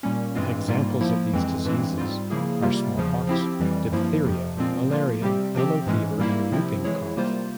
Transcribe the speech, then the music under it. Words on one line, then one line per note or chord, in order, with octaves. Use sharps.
Examples of these diseases are smallpox, diphtheria, malaria, yellow fever, and whooping cough.
A#2 G3 A#3 C#4
G2 E3 G#3 C4 F4
G#2 G3 A#3 F4
F3 A#3 E4
F2 E3 G#3 C4
G2 E3 G#3 C4
G#2 G3 C4 F4
C#3 F3 A#3 E4 G#4
C3 G3 A#3 F4
E2 C#3 F3
F3 C4 E4 G4
F2 E3 G3
G2 F3 A#3 E4
F2 C3 F3
A#2 F3 G#3 C4 F4
F3 A#3 F4
C3 G3 C4 G4
C3 F3 C4 G4
G#2 E3 G#3 C#4
G3 A#3 E4
C3 F3 C4 E4
E3 G#3 E4 G#4 C#5
C3 G3 A#3 F4 C5